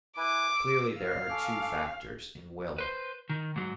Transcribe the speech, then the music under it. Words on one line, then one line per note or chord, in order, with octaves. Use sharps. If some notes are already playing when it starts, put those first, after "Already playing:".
Clearly there are two factors in will.
E4 B4 G#5 D6
E6
F5
C#4 A4 D6
B4 C5
D#3
G#2 F#3